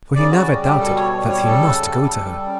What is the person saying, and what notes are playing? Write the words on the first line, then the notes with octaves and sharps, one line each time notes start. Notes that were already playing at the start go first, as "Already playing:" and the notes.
For he never doubted that he must go to her.
C#3 D5
F#4
G3
G4
B2 A4
C#5
G3
C#5
C#3 A4
G3
G3
C#3